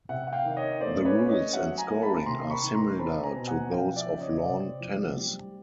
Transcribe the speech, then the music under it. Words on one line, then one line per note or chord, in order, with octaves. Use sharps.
The rules and scoring are similar to those of lawn tennis.
C3 E5 F#5
F#5
F5 G5
D#3
C#5 D#5
A3 C5 D5
B4 C#5
C#4
C#5 D#5
F#3 E5 F#5
G#5 A#5
A#3
A5 B5
C3 A#5 C6
B5 C#6
D#3
A#5 C6
C4 A5 B5
G#5 A#5
B2
F#5 G#5
F3 F5 G5
D5 E5
C#3
E5
C#5 D#5
C3 C5 D5
F3
G3